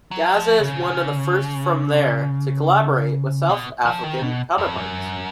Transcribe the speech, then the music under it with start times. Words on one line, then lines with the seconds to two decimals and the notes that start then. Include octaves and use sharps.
Gazza is one of the first from there to collaborate with South African counterparts.
0.11 F#3
0.35 F3
0.59 C#3
3.49 B2
3.86 F3
4.04 D#3
4.22 B2
4.58 F2
4.76 F#2